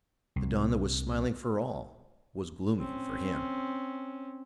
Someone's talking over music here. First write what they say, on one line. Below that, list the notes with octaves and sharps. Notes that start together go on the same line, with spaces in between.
The dawn that was smiling for all was gloomy for him.
C2
C4 C#4